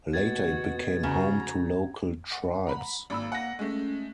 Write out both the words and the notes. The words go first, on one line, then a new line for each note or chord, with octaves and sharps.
Later it became home to local tribes.
B2 F#4 G#6 A6
C#3 F#4 A#5
F#5
A#5 B5
G#1 A#3 B5 E6
F#5 A#6
G#3 A3 C#4